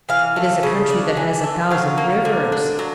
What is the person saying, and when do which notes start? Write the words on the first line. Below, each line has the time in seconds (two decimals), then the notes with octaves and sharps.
It is a country that has a thousand rivers.
0.09 E3 F5
0.36 A3
0.63 C#3
0.90 D4
1.17 E3
1.44 A3
1.70 F#3 F5
1.98 A#3
2.25 D3
2.52 D4
2.79 F#3